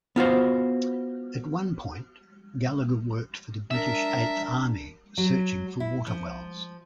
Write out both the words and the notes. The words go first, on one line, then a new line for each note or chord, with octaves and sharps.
At one point, Gallagher worked for the British Eighth Army searching for water wells.
B3 F4 F#4 C5
D4 A#4 E5
F#3
E4
F3